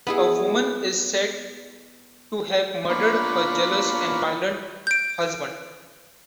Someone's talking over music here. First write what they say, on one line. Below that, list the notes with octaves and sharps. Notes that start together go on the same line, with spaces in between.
A woman is said to have murdered her jealous and violent husband.
B3 E4 G#4
A#3 B3 D4 F4 B4 C#5
G6 D7